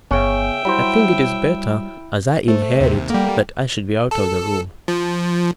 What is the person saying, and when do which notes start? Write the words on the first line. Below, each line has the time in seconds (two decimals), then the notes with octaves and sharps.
I think it is better, as I inherit, that I should be out of the room.
0.11 G1 C#3 B3 C#4 C#5 E5 G5
0.65 F#3 G3 E4 C5 B5
2.48 A3 C5 E5
2.80 D#2 C3
3.10 G3 A#3 A4 F#5 G5
4.11 A4
4.88 F3